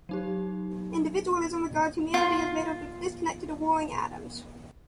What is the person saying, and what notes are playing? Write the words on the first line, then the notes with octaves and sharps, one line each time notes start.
Individualism regards humanity as made up of disconnected or warring atoms.
F#3 D#4 G4
F4 C6